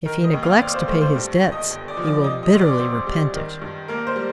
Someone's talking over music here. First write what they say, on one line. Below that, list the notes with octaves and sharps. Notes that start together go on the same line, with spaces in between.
If he neglects to pay his debts he will bitterly repent it.'
D#3 A#4
D#5
D#2
F5
C4 D5
C5
A3 C5
C5
G2
G1
D#5
G1
D5
F3
D5
C3 D#5
D#5
D2
D5
C4
G3
D#3
G2
A#3 A#4
C5
G3